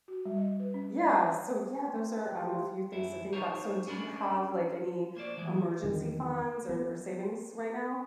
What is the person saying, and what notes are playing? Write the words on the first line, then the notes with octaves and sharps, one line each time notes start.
Yeah, so yeah, those are, um, a few things to think about. So do you have like any emergency funds or or savings right now?
F#4
G3
D#5
B4
C#4
D5
C#5
C4
G4 B4 B5
G2 A#2 F3 A3
F#2 E4
D#4 G4 C5 C#5 F5 A#5
C#4 D4 A#4 B5
A#3 C5 D5
E3 G#3 A#3
E2 D3 D#3 F#3
B3